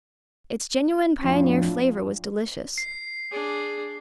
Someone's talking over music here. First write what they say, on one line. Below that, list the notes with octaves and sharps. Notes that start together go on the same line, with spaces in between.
Its genuine pioneer-flavor was delicious.
F2 A2 D4 F4
C7
D4 G#4